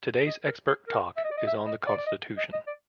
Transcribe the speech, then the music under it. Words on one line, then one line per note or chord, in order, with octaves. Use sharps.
Today's expert talk is on the constitution.
D#5
A#4
G#4
A#4
E5
D#5
D5
D#5
E5
D#5
D5
D5
D#5
D#5
D#5
D5